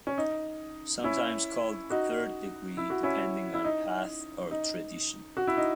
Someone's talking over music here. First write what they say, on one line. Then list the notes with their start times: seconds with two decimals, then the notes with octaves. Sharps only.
Sometimes called Third degree, depending on path or tradition.
0.07 C#4
0.18 D#4
1.04 C#4 E4
1.90 D#4 F#4
2.77 E4
2.90 F#4
3.03 C#4 E4
3.54 E4
3.64 D#4
4.51 D#4
5.37 F#4
5.47 E4
5.57 D#4